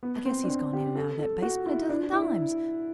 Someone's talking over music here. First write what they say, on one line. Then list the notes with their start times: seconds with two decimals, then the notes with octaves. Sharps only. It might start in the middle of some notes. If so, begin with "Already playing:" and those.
I guess he's gone in and out of that basement a dozen times.
0.03 B3
0.26 C4
0.44 D4
0.50 C4
0.73 G4
0.96 A4
1.19 A4
1.42 F#4
1.66 E4
1.89 D4
2.13 E4